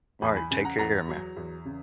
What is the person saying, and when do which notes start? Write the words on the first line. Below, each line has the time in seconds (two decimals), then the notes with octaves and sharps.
Alright, take care, man.
0.22 E2 G#5 B5
0.37 G#5 B5
0.51 C#3 G#5 B5
0.65 F#5 A#5
0.79 E2 F#5 A#5
1.09 F#3
1.37 E2
1.65 C#3